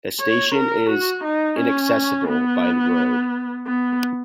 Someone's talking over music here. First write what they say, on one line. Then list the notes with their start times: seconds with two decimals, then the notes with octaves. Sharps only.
The station is inaccessible by road.
0.20 C#5
0.55 A#4
0.90 F#4
1.24 D#4
1.58 C#4
2.28 B3
3.67 B3